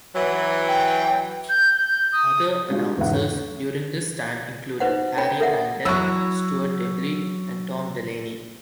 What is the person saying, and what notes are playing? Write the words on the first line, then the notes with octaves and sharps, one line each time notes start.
Other announcers during this time included Harry Randall, Stuart Dibbley and Tom Delaney.
E3 F#3
G5
G6
G6
D#6
G3 G#3 D4 F4 F#4
E2 G#2 C#3 E5 F#5
C#5
D#4 B4 C5 F#5
C#4 C#5 G5 B5
A4 A#4 E5 F#5
F#3 E4 C#6 E6